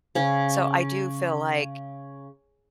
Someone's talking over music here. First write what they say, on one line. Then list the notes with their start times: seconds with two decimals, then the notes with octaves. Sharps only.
So, I do feel like
0.15 C#3 C#4